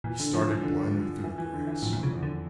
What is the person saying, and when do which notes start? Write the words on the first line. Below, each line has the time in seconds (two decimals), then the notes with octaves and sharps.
He started blindly through the grass.
0.04 A#2 E3
0.20 D3
0.33 F3
0.48 E3
0.63 D3
1.24 E3
1.38 E3
1.53 D3
1.67 E3
1.83 F2 A2
1.93 F2 A#2
2.03 C#3
2.13 E2
2.23 D3